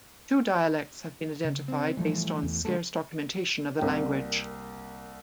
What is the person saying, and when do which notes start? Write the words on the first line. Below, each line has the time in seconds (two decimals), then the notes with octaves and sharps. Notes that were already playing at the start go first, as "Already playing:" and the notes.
Two dialects have been identified based on scarce documentation of the language.
1.45 C#3
1.68 C4
1.97 E3 F3 G3 A3
2.43 E2
2.65 D3 G#3 A3 F#4 A4
3.79 C2 A#3 G5